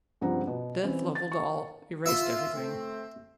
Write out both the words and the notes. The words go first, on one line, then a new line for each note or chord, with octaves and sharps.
Death levelled all, erased everything.
C#2 G2 F3 C4 F#5 A#5
B2
E3 C4 C#4
A6
C#6
F4 E5 C6
A3 C4